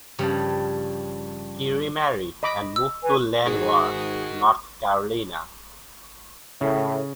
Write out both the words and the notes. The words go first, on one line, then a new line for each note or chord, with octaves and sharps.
He remarried and moved to Lenoir, North Carolina.
G2 C#3 F3 G3
D#5 B5 D6
E6
B4 G#5
G#2 D#4 F#4 G#4 A#4
A2 C#3